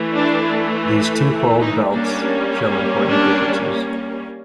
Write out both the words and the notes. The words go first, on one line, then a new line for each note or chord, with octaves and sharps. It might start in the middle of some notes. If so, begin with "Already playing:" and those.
These twofold belts show important differences.
Already playing: E3 A3
D4
D#4
G3 A#3 C#4 D4
D4